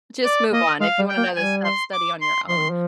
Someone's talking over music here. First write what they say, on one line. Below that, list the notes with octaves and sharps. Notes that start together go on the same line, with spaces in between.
just move on, if you wanna know this stuff, study on your own.
D5
A#3 D#5
G#3 F5
G3
G5
A#3
G3 G#5
C6
D6
C6
F3 C6
D#3
F3